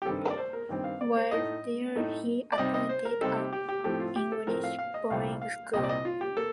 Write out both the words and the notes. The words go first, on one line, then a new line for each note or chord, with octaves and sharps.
While there he attended an English boarding school.
G4
G2 D#3 G3 C4 A4
A#4
D5
C5
A#4
G2 D#3 G3 C4
F5
D5
C5
A2 A3 D#4 D#5
A2 A3 D#4
D5
C3 G3 C4 D#4 D#5
D#5
C5
A#4
C3 G3 C4 D#4 A4
G4
G4
G4
A2 F3 A3 C4 G4
F4
G4
A4
A2 F3 A3 C4 A#4
F5
F5
D#5
C2 A#2 G3 C4 F5
F5
C2 A#2 G3 C4 D#5
D5
D#5
F4
G4
A#3 A4